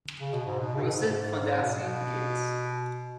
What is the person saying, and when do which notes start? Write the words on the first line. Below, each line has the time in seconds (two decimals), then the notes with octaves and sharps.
Brosset, Fondacci, Gabus.
0.20 C#3
0.33 B2
0.46 G#2
0.59 B2
0.75 C#3
0.83 B2
0.92 G#2
1.62 B2